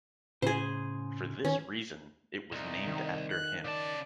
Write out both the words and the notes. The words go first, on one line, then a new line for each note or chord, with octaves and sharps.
For this reason, it was named after him.
A2 C#3 G#4 C5
D#3 C#4
C2 D#4
D#3
F#6
C#3 D5 A5